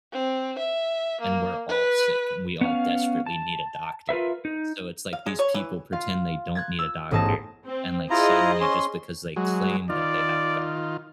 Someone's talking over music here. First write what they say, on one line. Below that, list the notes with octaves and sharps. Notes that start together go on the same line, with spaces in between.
and we're all sick, and we all desperately need a doctor, so it's like these people pretend they don't need a doctor, and, like, suddenly, just because they claim that they have God,
C4
E5
A#3
B4
B3 C#4 F5
A5
F4 A#4 B4 E5
D#4
F5
G#3
C#5
E3
F4 F5
F#6 G#6 A6
E6
A1 G#2 B3 G#4 A5 A#6
C4
E4 F4 G#4 C5 D#5 A#5
C#4 C6
F#3 G#3
D#3 F4 D5